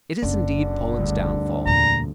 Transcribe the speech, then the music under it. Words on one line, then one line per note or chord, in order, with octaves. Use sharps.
It is indeed Poland's downfall.
F#1 D3
D2 G2
E2 A#2 A#5